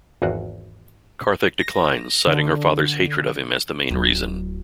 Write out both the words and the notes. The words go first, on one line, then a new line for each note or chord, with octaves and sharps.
Karthik declines, citing her father's hatred of him as the main reason.
G#1 E2 F4 F#4 F#5
A#6
D3
D1 F#3